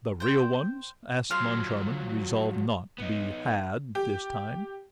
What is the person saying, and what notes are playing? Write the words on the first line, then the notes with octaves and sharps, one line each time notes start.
"The real ones?" asked Moncharmin, resolved not to be "had" this time.
C5 G5
F3 F#3 F5 C6
B3 D#4
G4